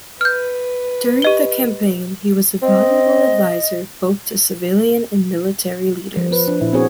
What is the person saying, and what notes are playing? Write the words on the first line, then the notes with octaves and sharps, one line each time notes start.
During the campaign he was a valuable advisor both to civilian and military leaders.
B4 F6 G6
G4 D#5 G7
C4 D#5
F3
B3 B4
D4
A#2 E4
C4 C#4 E4 F#4 G#4 C#5